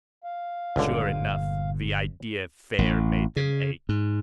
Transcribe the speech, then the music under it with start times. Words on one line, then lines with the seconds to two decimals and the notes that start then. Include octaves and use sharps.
Sure enough; the idea fair made them ache.
0.24 F5
0.76 G1 C#2 A#2 D3
2.78 A1
3.36 C#3
3.89 G#2